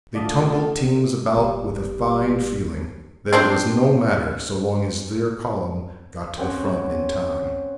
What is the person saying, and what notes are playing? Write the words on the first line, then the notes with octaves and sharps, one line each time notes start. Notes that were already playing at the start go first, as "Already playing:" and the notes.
They tumbled teams about with a fine feeling that it was no matter so long as their column got to the front in time.
D3 A3 F4 D5 A5 D6 D#6
G1 G3
C4 D4 C5
C4 C#4 F#5 D6